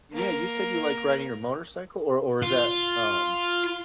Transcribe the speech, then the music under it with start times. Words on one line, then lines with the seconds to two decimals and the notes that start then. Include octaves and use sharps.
Yeah, you said you, like, riding your motorcycle, or or is that um
0.12 A#3 A#4
2.42 F4